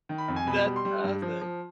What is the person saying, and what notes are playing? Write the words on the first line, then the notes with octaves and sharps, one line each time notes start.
That's awesome.
D#3
B5
F2
G#5
B2 B5
G3
C6
G3
G2
F3
F3